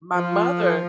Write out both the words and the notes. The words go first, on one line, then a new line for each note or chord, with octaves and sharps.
My mother,
F3 F4
A4